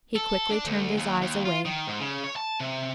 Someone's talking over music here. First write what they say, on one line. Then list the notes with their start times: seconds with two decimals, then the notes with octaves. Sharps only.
He quickly turned his eyes away.
0.16 A4
0.50 D4
0.66 D2
0.98 D#2
1.22 D#2
1.45 F4
1.65 D#3
1.87 G#2
2.00 C#3
2.24 C#5
2.36 A5
2.60 C3